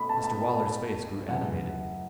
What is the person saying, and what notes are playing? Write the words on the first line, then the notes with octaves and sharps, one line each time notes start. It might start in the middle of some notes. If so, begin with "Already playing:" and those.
Mr Waller's face grew animated.
Already playing: B2 A3 B5
A5
A5
A5
F#2 C#3 E3 F#5